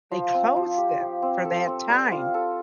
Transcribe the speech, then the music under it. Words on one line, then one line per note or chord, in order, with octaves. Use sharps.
they closed it for that time.
F3
C4
F3
G4
F3
C4
A4
C4
G3
F4
A4